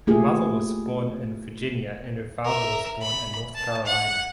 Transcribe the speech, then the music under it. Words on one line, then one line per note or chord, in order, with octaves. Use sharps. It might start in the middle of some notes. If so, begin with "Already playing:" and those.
Her mother was born in Virginia and her father was born in North Carolina.
A3 A#3 E4 F4 G4 G#4
A#4 E5
B5
A5
F#5